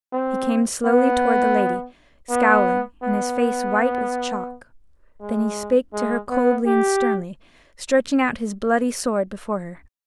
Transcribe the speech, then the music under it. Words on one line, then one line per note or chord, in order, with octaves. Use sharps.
He came slowly toward the Lady, scowling, and his face white as chalk; then he spake to her coldly and sternly, stretching out his bloody sword before her.
C4
B3
B3
B3
G#3
G#3
B3
G4